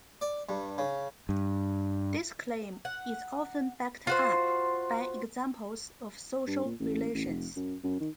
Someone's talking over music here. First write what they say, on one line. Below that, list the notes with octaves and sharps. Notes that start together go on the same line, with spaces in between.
This claim is often backed up by examples of social relations.
D5
G2
C#3
G2
F#5
F4 F#4 C5
G2
A#2
A1
A1
F1
F#2
F#2
D#3